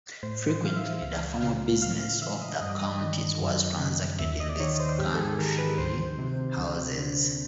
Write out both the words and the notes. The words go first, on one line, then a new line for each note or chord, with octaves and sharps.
Frequently, the formal business of the counties was transacted in these country houses.
A2 C5
C5
E3 F5
E5
C#2 F5
C#3 F5
A2 F5
F5
E3 E5
D#5
G2 D#5
D5
D#5
D#3
F#2
C#3
D#2 E5
D#5
D5
D#3 C#5
C5
G#2 G4
A4
G#4
D#3 A#4
B4
D2 C5
C3
D2
D3